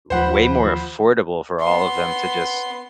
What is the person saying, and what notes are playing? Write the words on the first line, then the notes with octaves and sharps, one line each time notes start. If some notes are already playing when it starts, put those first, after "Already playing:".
way more affordable for all of them to just
D#2 F3 C5 F#5 B5
B3 C6